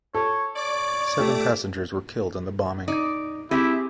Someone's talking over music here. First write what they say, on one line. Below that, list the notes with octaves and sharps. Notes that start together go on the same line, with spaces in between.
Seven passengers were killed in the bombing.
A4 C#5
C#5 D5 D6
A3 G4
D#4 D5
C4 E4 G4 G#4